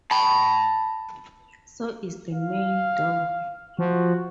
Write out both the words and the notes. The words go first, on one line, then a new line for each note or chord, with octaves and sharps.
So is the main door.
A5 B5
F5
F3 F#4